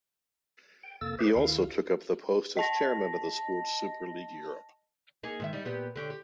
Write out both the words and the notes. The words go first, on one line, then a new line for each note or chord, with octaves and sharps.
He also took up the post as Chairman of the sport's Super League Europe.
G5
F2 C3 A#3 A4 E6 A6
G4 G#4 B4 C5 E5
D#2 D#3 E4 F5
D#5 A5 A#6
A#3 D#4 G#4
G#2 D#3 E5
G3 D#4
A#2 B3 G4
D3 G4 C#5
G4